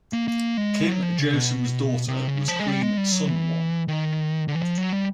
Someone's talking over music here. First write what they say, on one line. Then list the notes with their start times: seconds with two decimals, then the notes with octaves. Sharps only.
Kim Josun's daughter was Queen Sunwon.
0.13 A#3
0.28 A#3
0.57 G#3
0.88 F#3
1.03 F3
1.18 C#3
1.33 B2
2.08 C3
2.28 C#3
2.48 F3
2.60 G#3
2.68 G3
2.83 G#3
2.97 G3
3.12 F#3
3.28 E3
3.88 D#3
4.48 D3
4.55 E3
4.62 F3
4.78 F#3
4.93 G3